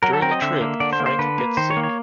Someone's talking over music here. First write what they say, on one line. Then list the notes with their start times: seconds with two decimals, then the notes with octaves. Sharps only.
During the trip, Frank gets sick.
0.03 F#3 A#4
0.13 A4
0.22 C4 A#4
0.31 D#5
0.42 D3 E5
0.61 A#3
0.80 D3 D5
0.93 C5
1.00 A#3
1.06 C5
1.19 D3 B4
1.38 A#3
1.57 D#3 C5
1.70 C#5
1.77 A#3
1.83 C#5